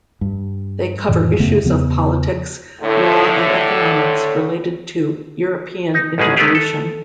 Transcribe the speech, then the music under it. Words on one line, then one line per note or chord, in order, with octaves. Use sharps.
They cover issues of politics, law and economics related to European integration.
G2
F2 A2 D#3 E3
F#2 C#3 A3 B3
E2 C#3 F3 B3
A2 D3
D#4
A1 F#2 B2 G#3 C#4 G#4
G#3 A3 B3 C#4 G4 G#4
A4